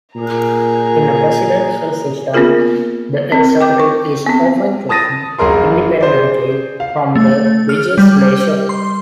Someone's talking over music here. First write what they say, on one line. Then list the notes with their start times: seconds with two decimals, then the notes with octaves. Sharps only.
In a presidential system, the executive is often chosen independently from the legislature.
0.15 A#2 G#4 A#5
2.34 A#3 B3 C#4 F4 G#4 A#4
3.32 C4 A#4
3.61 G5 D6 G6
3.80 C#6
4.26 B3 C4
4.89 A5 D#6 A6 A#6 D#7
5.39 F1 F#2 G#4 A#4 C6
6.01 G#4 C5 D5
6.80 F5
7.15 A3
7.69 F6
7.98 G3
8.69 C6